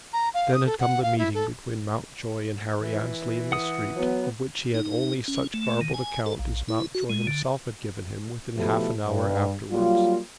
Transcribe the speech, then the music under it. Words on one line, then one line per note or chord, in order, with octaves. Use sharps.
Then had come the meeting between Mountjoy and Harry Annesley in the street, of which he had only such garbled account as Mountjoy himself had given him within half an hour afterward.
A#5
F5
D#6
A4
F#5
F5
E4
A4
E3
F#5 D#6
F#3 B3
D#4
C#4
A3
D#3
G#5
A4
A#1
E4
F#4
G#3
D3
B2 F3 A3 E4 G4 A4
G2
F#3 G3 A#3 F4